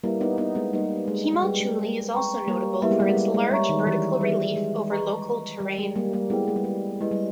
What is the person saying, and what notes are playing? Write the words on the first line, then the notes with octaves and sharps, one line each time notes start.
Himalchuli is also notable for its large vertical relief over local terrain.
G3 A#3 E4 G4 B4 E5
B3 D#4
B3 D#4
G#3 B3
G3 A#3 D#4 G4 B4 D#5
G#3
G#3
G3 G#4 B4 G5
G#3
B4 G5 A#5 C#6
G3 A#3
G3 A#3 E4 G4 B4 E5
G#3 B3
G3 A#3
G#3
G3
G#3
G3 C#5 E5 A#5 C#6
D#3
G3
E3
G3 G#4 B4 E5
G#3
B4 D#5 A#5 C#6
G3 A#4 D#5 G5
G#3
G3 A#3
G3 A#3
G#3 B3 E4 G#4 B4 G5
G#3
G3
G#3
G#3 E4 G4 B4 D#5
G3